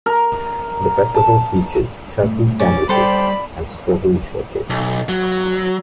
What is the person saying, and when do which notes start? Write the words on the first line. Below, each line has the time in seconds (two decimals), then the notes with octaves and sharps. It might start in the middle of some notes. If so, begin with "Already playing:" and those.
The festival features Turkey sandwiches and Strawberry Shortcake.
0.06 A#4
1.14 A5
2.23 G2 A3
2.60 C#4 D5
2.89 G3 G4 A4 C5 D5 B5 C6
4.70 B1
5.09 F#3